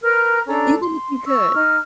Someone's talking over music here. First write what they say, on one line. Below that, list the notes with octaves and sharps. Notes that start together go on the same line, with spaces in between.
Even if you could,
A#4 B4 A#5 F6
C#4 D4 A4 A#5
C6
C#6 E6
D#4 F6